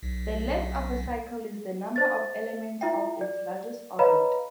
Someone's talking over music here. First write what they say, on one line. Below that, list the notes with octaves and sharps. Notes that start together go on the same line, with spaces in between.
The "length" of a cycle is the number of elements of its largest orbit.
B1
C5 A6
E4 F4 E5 G5
D5
B4 C#5 D#5 F5 A#5 B5